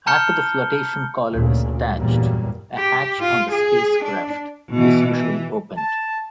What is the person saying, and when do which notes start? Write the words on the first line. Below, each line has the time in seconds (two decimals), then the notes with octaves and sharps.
After the flotation collar is attached, a hatch on the spacecraft is usually opened.
0.07 A5 A#5 F6 G6 C#7 G7
1.32 D2 A#2 C#3
1.95 E2 G2 A#2 F#3 G3 A#3
2.77 G4
3.21 F4
3.52 G#4
4.04 D4
4.72 B2 E3
5.13 E3
5.76 A5